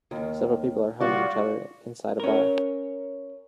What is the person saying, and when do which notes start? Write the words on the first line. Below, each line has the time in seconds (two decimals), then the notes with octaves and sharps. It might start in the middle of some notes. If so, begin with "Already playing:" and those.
Several people are hugging each other inside a bar.
0.11 D#2 D#3
1.00 G3 F4 F#4 D5
2.20 C#4 A#4